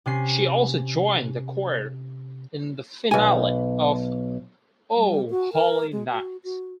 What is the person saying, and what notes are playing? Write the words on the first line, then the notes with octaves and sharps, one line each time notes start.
She also joined the choir in the finale of "O Holy Night".
C3 C#4 G#5 C7
B1 G#5
G3
F#4
A#4
G#3
F#4
F#4